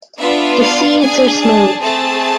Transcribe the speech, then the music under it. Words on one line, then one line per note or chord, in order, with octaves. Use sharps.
The seeds are smooth.
B3 D4 F4 E5
F5
D4 G#4 G#5
A5
A3 C4 G#4 A5